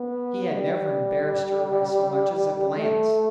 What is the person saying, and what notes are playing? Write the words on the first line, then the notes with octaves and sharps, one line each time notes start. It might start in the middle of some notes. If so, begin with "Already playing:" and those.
He had never embarrassed her by so much as a glance.
Already playing: B3
G3
A3